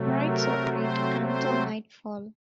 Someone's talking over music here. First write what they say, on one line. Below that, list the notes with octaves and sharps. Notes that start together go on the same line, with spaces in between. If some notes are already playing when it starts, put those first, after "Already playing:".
Rides operate until nightfall.
Already playing: C3 F#3 A3
A#4
C4 C5
C4 C5